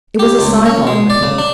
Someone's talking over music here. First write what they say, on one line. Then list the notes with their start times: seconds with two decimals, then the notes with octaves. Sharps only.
It was a sideline with Him.
0.19 G4
0.39 C#2
0.66 C#4
0.87 G#3
1.10 D5
1.23 C#3
1.38 D4